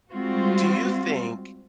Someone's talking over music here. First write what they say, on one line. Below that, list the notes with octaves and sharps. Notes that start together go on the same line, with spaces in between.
do you think
G3 G#3 C4 F4 F#4